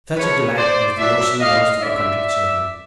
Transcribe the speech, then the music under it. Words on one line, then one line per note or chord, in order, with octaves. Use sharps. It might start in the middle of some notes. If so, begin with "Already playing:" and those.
Such a delight as the ocean was to the country children!
C#3 F3 A3 B4 C#5
C5 D5
A#2 F#3 A3 D5 E5
D#5 F5
F#2 D3 F#3 D5 E5